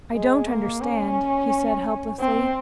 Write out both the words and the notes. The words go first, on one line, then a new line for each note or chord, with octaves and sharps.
"I don't understand," he said helplessly.
G#3
A#3
C#4
C4